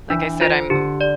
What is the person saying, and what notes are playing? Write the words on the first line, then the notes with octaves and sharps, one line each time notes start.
like I said, I'm
E3 D4
F4 C5
D3 G4
D5